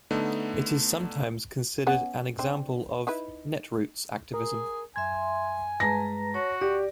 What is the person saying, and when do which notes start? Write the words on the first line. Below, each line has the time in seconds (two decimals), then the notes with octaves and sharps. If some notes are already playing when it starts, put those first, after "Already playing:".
It is sometimes considered an example of "netroots" activism.
0.11 D3 A3 B3 D#4
1.87 B3 C#4 F#5
2.39 C4 D4
3.07 D#4 E4 B4
4.34 G#4 A#4
4.96 F#2 E5 G#5 C6 G#6
5.80 G2 G#3 B4 A5 A#5 A#6
6.34 F#4 C#5
6.61 D2 G4 D5